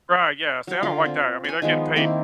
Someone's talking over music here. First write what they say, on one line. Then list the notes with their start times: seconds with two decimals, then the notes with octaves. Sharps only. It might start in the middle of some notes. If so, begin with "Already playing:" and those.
Right, yeah. See, I don't like that. I mean, they're getting paid,
0.67 F#3 C#5
0.83 D3 F4 F5
1.06 C4
1.44 C#5 G#5
1.62 D#3 F3 G#3 B3
1.96 D#3 A#3 C4 E4